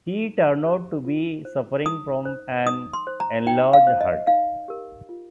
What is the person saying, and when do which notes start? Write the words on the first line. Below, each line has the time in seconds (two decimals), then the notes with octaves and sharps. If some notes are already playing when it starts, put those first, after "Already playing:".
He turned out to be suffering from an enlarged heart.
0.24 D#4
0.65 G4 C5
1.05 F4
1.45 C5
1.86 D#4 D#6
2.25 C5
2.66 D#4 D#6
2.93 C6
3.07 C5
3.20 A#5
3.46 D#4 G5
3.73 F5
3.87 C5
4.01 D#5
4.27 D#4 F5
4.68 G4 A#4
5.09 F4